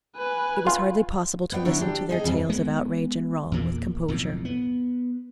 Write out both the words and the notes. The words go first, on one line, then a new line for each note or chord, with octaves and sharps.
It was hardly possible to listen to their tales of outrage and wrong with composure.
B4 G#5
F4
B3 D5 F5 G5
D3 F#3 D4 E4 A#4 C#5
D4 G4 A4
D#4 G#4 D#5
F2 C3 G3
G#3 B3
E2 A#2 A#3
B1 F2 A2
B3